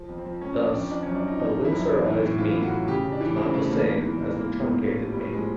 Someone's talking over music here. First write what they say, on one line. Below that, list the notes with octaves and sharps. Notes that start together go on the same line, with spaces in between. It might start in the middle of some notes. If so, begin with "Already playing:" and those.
Thus a winsorized mean is not the same as a truncated mean.
Already playing: F3
F2
C4
F3
F3 C#4
D4
F3
D4
F2
F3 D4
C#4
F#2
D4
F3 D#4
F#2 D#4
F3
E4
F#2
E3
E3
A2
E3 F4
A2
F#4
A2
C#3 G4
C#3
D4
E3
C#3 C4
C#3 A3
E2 A#3
G#2
E3
G#2
G#2 A#3
G#2
B3
G#2
A2 A#3
F3
G3
A2
F3 G#3